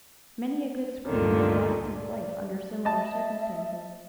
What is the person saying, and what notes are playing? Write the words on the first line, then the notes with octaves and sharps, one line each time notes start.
Many a good swimmer has lost his life under similar circumstances.
D2 G2 A#2 D3 D#3
D5
D#5 E5 A5